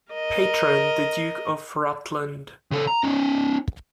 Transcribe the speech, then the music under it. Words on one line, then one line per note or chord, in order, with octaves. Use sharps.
Patron, the Duke of Rutland.
A#4 D#5
C#3 A4
A#5
C#4 D#4